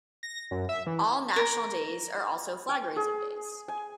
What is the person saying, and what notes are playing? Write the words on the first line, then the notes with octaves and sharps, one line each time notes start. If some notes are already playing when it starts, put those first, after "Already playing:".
All National Days are also Flag Raising Days.
A#6
F#2
E5
E3
A#4
G5
G#4
G#5